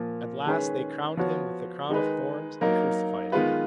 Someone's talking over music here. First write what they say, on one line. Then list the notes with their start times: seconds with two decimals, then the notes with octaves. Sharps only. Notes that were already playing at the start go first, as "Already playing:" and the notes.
At last they crowned Him with the crown of thorns and crucified Him.
Already playing: A#2 F3 A#3
0.46 D#3 G#3 C#4 G#4 B4
1.17 F3 B3 F#4 C#5
1.89 D#3 G#3 D#4 G#4 B4
2.61 F#3 A#3 D#4 A#4
3.32 D#3 G#3 B3 F4 B4